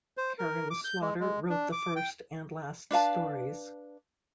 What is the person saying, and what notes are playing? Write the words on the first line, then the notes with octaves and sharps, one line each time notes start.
Karin Slaughter wrote the first and last stories.
C5
A#4
D6
G6
G#3
G#3
D4
D6
G5
D4 B4 F5 A5